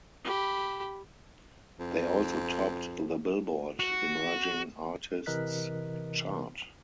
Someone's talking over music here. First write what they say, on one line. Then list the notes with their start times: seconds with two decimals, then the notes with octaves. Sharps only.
They also topped the "Billboard" Emerging Artists Chart.
0.24 G4 B5
1.80 F2
3.80 F#4
5.26 C3 E3 A#4 D#5 F#6 B6